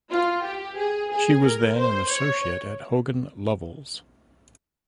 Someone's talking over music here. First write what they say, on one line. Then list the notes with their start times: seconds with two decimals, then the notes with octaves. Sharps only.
She was then an associate at Hogan Lovells.
0.11 F4
0.43 G4
0.76 G#4
1.10 G#4
1.42 A#4
1.77 C5
2.09 C#5